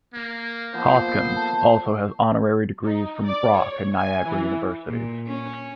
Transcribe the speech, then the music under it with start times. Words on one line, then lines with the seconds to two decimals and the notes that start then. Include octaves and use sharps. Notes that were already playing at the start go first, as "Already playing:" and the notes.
Hoskins also has honorary degrees from Brock and Niagara Universities.
0.14 A#3
0.74 F3 A#3 B3 C5
1.32 A4 A5
2.85 D#4
3.25 D5
3.55 C#5
3.95 G#5
4.26 E3
4.88 A#2
5.27 C#4